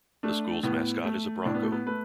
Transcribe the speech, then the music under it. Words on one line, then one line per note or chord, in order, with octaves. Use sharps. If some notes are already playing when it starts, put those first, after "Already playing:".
The school's mascot is a Bronco.
A3 D4
A2 B3
A3
A2 D4
B3
A3
B3
A3 B4